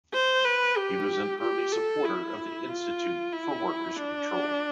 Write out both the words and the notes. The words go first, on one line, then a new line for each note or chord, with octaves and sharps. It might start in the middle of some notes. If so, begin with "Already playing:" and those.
He was an early supporter of the Institute for Workers' Control.
C5
B4
G4
G4
A4
E4
F4
E4
D4